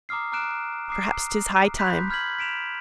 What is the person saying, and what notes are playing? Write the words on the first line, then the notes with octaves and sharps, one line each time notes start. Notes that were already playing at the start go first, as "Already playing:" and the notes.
Perhaps 'tis high time.
A#5 D6 D#6 F6 C7
A#5 D6 F6 F#6 D7 E7
A#5 D6 D#6 C7
B5 C6 F#6 G6 B6
B5 F6 G6 G#6 B6 F#7
B6 D7 E7 F7